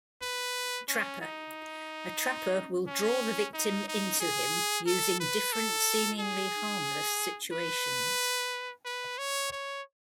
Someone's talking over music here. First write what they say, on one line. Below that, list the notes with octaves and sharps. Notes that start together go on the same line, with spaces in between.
Trapper: a trapper will draw the victim into him using different seemingly harmless situations.
B4
C#4
D#4
C#4
D#4
D#4
G#4
A4
B4
A4
G#4
B4
B4
C#5
C#5